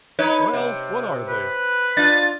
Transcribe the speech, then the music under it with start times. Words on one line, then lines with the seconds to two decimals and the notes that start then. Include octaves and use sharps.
"Well, what are they?"
0.19 D#4 B4 C#5
0.54 C3
1.29 B4
1.97 D4 F4 A6